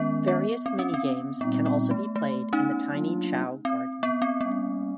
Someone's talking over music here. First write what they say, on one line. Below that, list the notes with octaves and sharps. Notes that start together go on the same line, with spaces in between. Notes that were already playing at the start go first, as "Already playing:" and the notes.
Various mini-games can also be played in the Tiny Chao Garden.
Already playing: D#3 G#3 B3 C#4
B3
C4
C#4
C4
A#2 G3 B3 C4 D#4
B3
A3
A3
C#4 D#4
F#3 A#3 D4 F4
C4
B3
C4
G3 A#3 B3 C#4